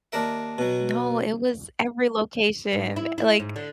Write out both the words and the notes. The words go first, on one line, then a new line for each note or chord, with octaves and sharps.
No, it was every location, like
D#2 D4 A#4 E5
B2 F#3
G#2
E4
E4
G#2
D3